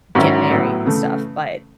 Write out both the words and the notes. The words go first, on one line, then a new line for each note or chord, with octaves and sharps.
get married and stuff, but,
G#2 D#3 F#3 C#4 E4
A2 F#3 B3 E4
C#3 E3 A3